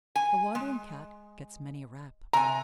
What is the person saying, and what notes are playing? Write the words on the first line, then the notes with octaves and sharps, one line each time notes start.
"The wandering Cat gets many a rap."
G#5
G#3
C3 G#5 A#5